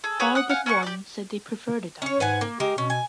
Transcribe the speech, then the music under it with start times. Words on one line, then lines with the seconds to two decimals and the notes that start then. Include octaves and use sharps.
All but one said they preferred it that way.
0.04 G#4 A4
0.20 G#4 B4 C#5 F#5
0.35 F#5 D#6 F#6
0.49 F5 F#5 G#5
0.66 C#4 F#5 A5 C#6
0.83 G4 D5
2.02 C#4 C#5
2.20 G#2 B4 F#5 G#5
2.41 A#3
2.60 G#3 G4 A#4
2.78 B2 C#4
2.90 G#5